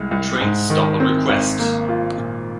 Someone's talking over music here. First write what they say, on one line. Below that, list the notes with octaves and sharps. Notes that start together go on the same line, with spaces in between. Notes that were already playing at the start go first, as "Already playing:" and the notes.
Trains stop on request.
Already playing: C2 G#3
C2
G#2
D#3
C4
G#1
A#3
F4
A#2